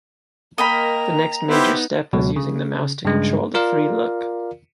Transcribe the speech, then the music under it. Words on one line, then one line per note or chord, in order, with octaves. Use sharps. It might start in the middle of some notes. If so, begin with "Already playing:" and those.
The next major step was using the mouse to control the free look.
A#3 A#4 D#5 G5 A#5 B5
B3 D#4 E4 G4 C5
C#2 B2 F#3
C#3
G2 C#3 G#3
F4 A#4 D5 F5